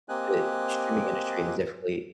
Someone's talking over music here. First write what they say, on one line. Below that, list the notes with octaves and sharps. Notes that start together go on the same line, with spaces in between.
the streaming industry has definitely,
A#3 C4 G4 D#5 G#5 F#6